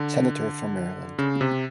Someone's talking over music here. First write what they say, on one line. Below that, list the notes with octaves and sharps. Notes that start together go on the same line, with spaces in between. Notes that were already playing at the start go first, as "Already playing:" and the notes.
Senator from Maryland.
Already playing: D3
C#3
C3